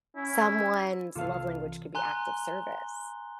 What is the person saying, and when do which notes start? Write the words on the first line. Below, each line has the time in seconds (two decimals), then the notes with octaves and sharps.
someone's love language could be act of service,
0.16 C#4 E4
1.15 C2 C3 E3 F4 A4 F5
1.95 G#5 A#5 C6 F#6 G7